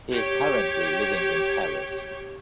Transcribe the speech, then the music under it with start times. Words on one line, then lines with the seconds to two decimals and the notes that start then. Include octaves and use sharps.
He is currently living in Paris.
0.13 G4 C#5